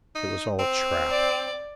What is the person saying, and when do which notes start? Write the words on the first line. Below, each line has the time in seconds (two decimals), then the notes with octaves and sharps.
It was all a trap.
0.15 D#4
0.59 C4
1.10 D5